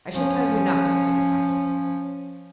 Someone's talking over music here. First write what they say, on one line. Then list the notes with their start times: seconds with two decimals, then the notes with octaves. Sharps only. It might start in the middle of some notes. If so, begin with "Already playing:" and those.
"I shall tell you nothing," I decided.
0.13 F3 C#4